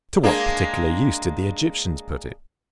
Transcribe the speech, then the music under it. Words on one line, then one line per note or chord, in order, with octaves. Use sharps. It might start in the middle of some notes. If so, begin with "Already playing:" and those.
To what particular use did the Egyptians put it?
G#3 A#3 D4